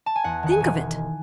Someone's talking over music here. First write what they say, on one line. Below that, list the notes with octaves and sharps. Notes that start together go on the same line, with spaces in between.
Think of it!
A5
G#5
E2 F#5
D#3 F#5
G#5
E1